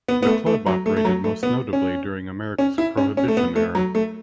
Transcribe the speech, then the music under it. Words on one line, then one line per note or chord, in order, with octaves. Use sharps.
The club operated most notably during America's Prohibition Era.
B3
B3
A3
A3
F#3
A3
A3
F#3
A3
B3
C#4
C#4
E4
C#4
C#4
A3
B3
A3
F#3
A3